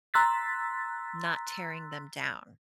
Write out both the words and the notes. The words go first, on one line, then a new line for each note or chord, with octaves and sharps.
not tearing them down.
A#5 C6 E6 F#6 A6 B6